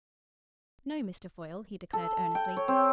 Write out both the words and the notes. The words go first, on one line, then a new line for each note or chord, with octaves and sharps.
"No, Mr. Foyle," he declared earnestly.
A4
G5
C#5
C4